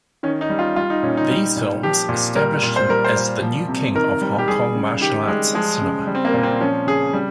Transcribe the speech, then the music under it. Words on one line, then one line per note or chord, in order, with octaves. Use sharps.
These films established him as the "new king" of Hong Kong martial arts cinema.
D#3 C#4
D#4
G3
F4
G3 F4
D#4
A#2 C#4
D#4
G3
A#2
F3 G4
A#2
G3 A#4
A#2
C5
G3 A#4
C5
A#2
F3
C3
D#3 A#4
G3
G4
G3 G#4
C#3
D#3 G4
G3 G#3
F3 G#3
C#3
G3
C4
A#3
A#2
C4
F3 C#4
C#3 G#4
G3